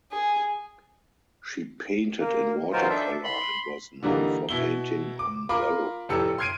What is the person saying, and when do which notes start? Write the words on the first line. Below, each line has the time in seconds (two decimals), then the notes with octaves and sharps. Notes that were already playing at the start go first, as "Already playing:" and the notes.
She painted in watercolour and was known for painting on vellum.
0.12 G#4
2.20 A#3
2.72 E3 F#3 D#4 F4 A#4 C5
2.89 D4 A4 E5
3.24 B5 C6
4.03 D3 E3 G3 A#3 D#4
4.49 B2 E4 G7
5.19 D6
5.49 F4 A#4 B5 D6
6.09 F1 A2 G4 A4 E6 C#7
6.38 C6 F6 G#6 C7 D7 D#7